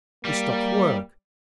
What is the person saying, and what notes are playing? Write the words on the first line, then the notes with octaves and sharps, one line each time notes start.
We stopped work.
G3 A#3